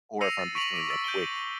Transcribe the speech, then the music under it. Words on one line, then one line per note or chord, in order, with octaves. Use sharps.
or if I'm just doing a quick
E6 A#6 C7 C#7 D#7 F7
A6
C#6 B6 D7 D#7 F7 F#7
D6 B6 D7 F7
E6 A6 B6 D7
G6 D7 D#7 G7